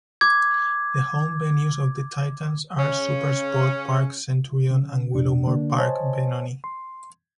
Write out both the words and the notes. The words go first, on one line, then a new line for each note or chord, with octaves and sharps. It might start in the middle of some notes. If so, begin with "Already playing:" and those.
The home venues of the Titans are SuperSport Park, Centurion and Willowmoore Park, Benoni.
D6 G#6
C#3 C#4
C#3
F2 A#2 D4
D3 A#3 D4
C5 C#5 D#5 G#5 A5
C6